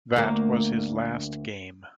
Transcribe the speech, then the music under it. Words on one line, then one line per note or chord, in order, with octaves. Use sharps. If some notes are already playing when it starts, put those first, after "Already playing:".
That was his last game.
D2 A#3